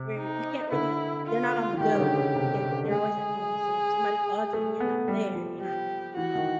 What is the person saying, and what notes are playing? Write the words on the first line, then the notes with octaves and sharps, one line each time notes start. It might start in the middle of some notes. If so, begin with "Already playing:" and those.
where you can't really They're not on the go. Yeah, they're always at home, so if somebody called you and you're not there, you're not getting their call,
Already playing: C3
D#4
D3 E4
F4
E3
D#3 G4
C#3
D3
C#3
C3
C#3
D3
A3
G#3 G#4
A3
B3
G3
F3
G4
E3 F#4
D#3